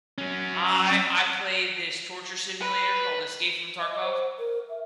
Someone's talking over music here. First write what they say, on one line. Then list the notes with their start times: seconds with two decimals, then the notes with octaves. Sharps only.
I I play this torture simulator called Escape from Tarkov.
0.18 F#3 C#4
2.62 B4 B5
3.81 D#5
4.02 C5
4.39 A#4
4.69 E5